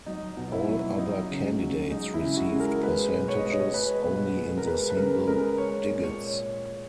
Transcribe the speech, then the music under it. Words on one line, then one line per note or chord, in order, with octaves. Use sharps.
All other candidates received percentages only in the single digits.
F#3 D#4
B2
E4
F#3
F#3 D#4
C#3
F#3
G#3 D#4
E4
C#3
F#4
G#3
A#4
G#3 B4
B2
C#5
D#5
G#3 C#5
D#5
C#5
G#3 B4
B2
G#3
A#4
G#3 B4
B4
C#3 A#4
G#3 A#4
G#3 C#5
A#2
C#5